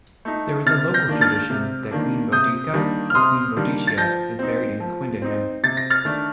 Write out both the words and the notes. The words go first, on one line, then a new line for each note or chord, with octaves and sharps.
There is a local tradition that Queen Boudica or Boadicea is buried in Quidenham.
A3 D#4
C3 F6 A6
G6 A#6
D#3 A#3 D4
F6 A6
C3
D#3 A#3 D4
C3 D#6 G6
D#3 G3 A#3 D4
F6
C3 C6 D#6
D#3 G3 A#3 D4
A6
F3 G6 A#6
C4 D#4
F3
C4 D#4
C3 A6
A#6
F6 A6
D#3 A3 D4